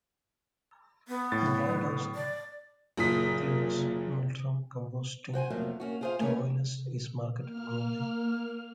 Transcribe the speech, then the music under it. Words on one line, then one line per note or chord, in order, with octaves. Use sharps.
The brand of Clivus Multrum composting toilets is marketed globally.
B3
A2 A6
D5
F#1 A#2 D#6 B6
F#4 C5 G5 G#5
F2 B2 F#3 A3 A#3
A#3 C#4 F#4
F4 F#4 G#4 A#4 C5 F5
A3 A#3 C#4 G#4 C#5
A#3 F6